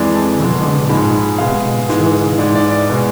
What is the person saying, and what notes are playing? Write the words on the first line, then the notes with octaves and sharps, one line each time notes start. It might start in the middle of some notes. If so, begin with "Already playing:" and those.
We went on again, picking up shells and pebbles.
Already playing: F2 E3 G#3 D5
A5
B2 G#3
G#2 F3 G#3 B5
G#5
B2 G#3 F5
G#2 E3 G#3
G#2 E3 G#3 D5
D5
D5
B2 G#3